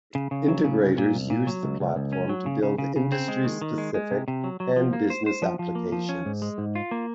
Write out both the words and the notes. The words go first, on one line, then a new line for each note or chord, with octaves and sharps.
Integrators use the platform to build industry-specific and business applications.
C#3
C#3
F#3
C#3
C2
A#2
C2
A#2
F#3
C#2
C#2
C#2
C#4
F#3
C#3
C#3
C#3
C#3
C4
G#3
D#3
D#3
G#3
G#3
C3
C3
F#3
F#3
F3
A#3
C5
C5
F3
F3
A#3
F3
C#4
G#2
G#3
G#2
F4
A#3